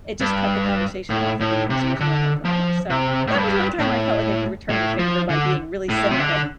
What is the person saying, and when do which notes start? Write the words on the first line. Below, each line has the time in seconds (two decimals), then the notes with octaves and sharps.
it just cut the conversation off at the knees, there was no more drama. So, that was one time I felt like I could return the favor by being really cynical.
0.21 G2
1.10 A2
1.40 A2
1.70 C3
2.00 D3
2.45 F3
2.90 C3
3.27 A2
3.35 G2
3.79 A2
4.70 A2
4.99 F3
5.30 D3
5.89 A2
6.11 C3
6.19 D3